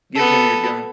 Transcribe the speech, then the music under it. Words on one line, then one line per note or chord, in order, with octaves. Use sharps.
Give him your gun.
B3 A4